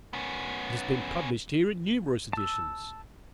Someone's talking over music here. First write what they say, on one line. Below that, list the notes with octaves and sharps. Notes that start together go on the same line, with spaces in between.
It has been published here in numerous editions.
B3 C#4
A5 E6